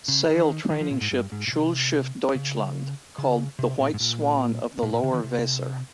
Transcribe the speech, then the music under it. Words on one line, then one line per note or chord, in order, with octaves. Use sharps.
Sail training ship "Schulschiff Deutschland", called "The White Swan of the Lower-Weser".
C#3
D#3
D#3
F3
A#2
G#2
G2
G#2
A#2
C3
C#3
C#3
C3
A#2
G#2
A#2
A#2
A#2
C#3
D#3
C3